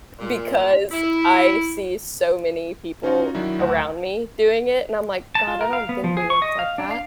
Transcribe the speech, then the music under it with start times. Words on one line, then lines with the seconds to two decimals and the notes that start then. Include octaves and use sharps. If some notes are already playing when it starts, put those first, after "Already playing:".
because I see so many people around me doing it, and I'm like, "God, I don't think we looked like that."
0.18 A#2
0.91 E4
3.03 C#4 D#4 F4 F#4
3.34 D#3 F#3 D4 E4
3.59 D2 F#5
5.35 A5
5.47 F4
5.61 A#4
5.73 F5
5.89 B3
6.04 F3
6.17 G#4
6.30 C#6
6.42 D#5
6.59 F5
6.78 D4
6.91 F5